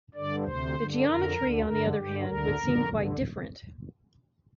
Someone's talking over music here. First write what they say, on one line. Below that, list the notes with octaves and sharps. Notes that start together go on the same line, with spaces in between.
The geometry, on the other hand, would seem quite different.
G2 D3 D5
D2 C3 C5
G2 D3
F2 D3 A#4
D2 D3
G2 D3 A#4
G2 G4
D3
D2 D3 A#4
F2 D3
G2 D3